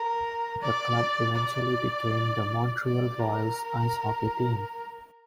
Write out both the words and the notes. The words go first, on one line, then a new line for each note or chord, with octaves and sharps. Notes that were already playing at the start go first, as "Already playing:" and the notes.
The club eventually became the Montreal Royals ice hockey team.
Already playing: A#4
D5
D5
D5
A#4